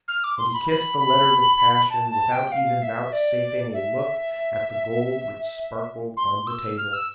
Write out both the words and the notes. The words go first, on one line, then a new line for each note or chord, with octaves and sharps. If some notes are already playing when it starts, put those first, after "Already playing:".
And he kissed the letter with passion, without even vouchsafing a look at the gold which sparkled on the table.
F6
D6
C6
B5
B5
B5
A5
A5
G5
F5
E5
D5
E5
C6
E6
F6
E6